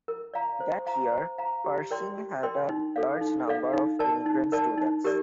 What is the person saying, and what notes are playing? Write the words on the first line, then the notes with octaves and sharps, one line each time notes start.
That year, Pershing had a large number of immigrant students.
A#4
D5 F5 A#5
C5
F5 A#5
C5
F5 A#5
G4
A#4 D5 G5 C6
G4
A#4 D5 G5 C6
D#4
A4 D5 F5
D#4
A4 D5 F5
D#4
A#4 D5 A5
D#4
A#4 D5 A5
D#4
G4 A#4 D5